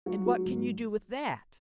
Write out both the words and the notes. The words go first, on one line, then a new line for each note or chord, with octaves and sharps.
"And what can you do with that?"
F#3 F#4
F#3
G#2